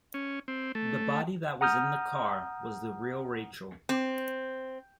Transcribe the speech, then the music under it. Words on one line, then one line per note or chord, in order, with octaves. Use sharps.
The body that was in the car was the real Rachael.
C#4
C4
A3
F#5 A#5 D#6 F6 G6
C4